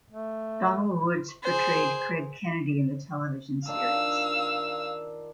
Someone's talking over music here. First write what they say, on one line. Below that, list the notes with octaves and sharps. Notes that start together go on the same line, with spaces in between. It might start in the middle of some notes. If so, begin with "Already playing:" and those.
Donald Woods portrayed Craig Kennedy in the television series.
A3
G#4 C5
D#3 D4 F4 F5 E6